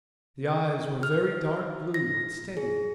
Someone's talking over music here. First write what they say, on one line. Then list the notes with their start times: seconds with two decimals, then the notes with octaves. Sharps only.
The eyes were very dark blue and steady.
1.03 F6
1.94 A#6
2.57 G#4